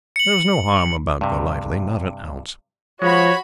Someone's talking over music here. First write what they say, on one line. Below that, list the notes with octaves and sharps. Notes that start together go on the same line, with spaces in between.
There was no harm about Golightly--not an ounce.
C#7 F#7
G2 C3
F3 G#3 F#4 C#5 B5